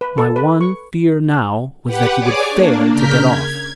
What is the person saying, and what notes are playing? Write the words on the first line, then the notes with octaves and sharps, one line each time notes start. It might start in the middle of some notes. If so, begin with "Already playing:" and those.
My one fear now was that he would fail to get off.
B4
A4
B4
C#6
G4 B4 F#5
G#4 C#5 D5 G#5 D6
A#3 D4
C#3 A#4 F6 G6 B6
G#6